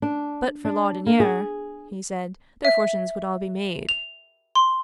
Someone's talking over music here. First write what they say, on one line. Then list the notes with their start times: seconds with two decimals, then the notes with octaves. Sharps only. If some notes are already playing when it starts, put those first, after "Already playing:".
But for Laudonniere, he said, their fortunes would all be made.
0.02 D4
0.65 D4
1.06 A#3
1.20 G#4
2.65 E5
3.89 F7
4.55 C6